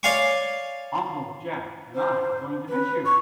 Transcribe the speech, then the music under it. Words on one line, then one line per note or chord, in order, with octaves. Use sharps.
Uncle Jack and I are going to miss you.
C#5 D5 F5 G#5 C6 C#6
C5
B4
C#6